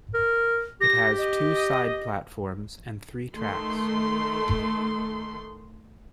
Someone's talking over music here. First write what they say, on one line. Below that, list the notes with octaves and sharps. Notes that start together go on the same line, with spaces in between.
It has two side platforms and three tracks.
A#4
G4 A#6
D#5
D#3 A3 C6